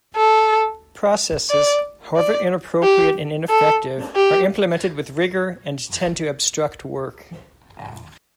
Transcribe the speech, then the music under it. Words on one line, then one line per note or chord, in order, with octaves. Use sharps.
Processes, however inappropriate and ineffective, are implemented with rigor and tend to obstruct work.
A4
D5
D5
G4
A4
G4